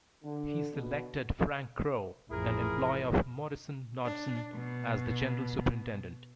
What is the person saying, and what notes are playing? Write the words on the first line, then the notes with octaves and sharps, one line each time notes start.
He selected Frank Crowe, an employee of Morrison-Knudsen as the General Superintendent.
D3
B2
A1 F2 E4 G#4 A#4
D4
B2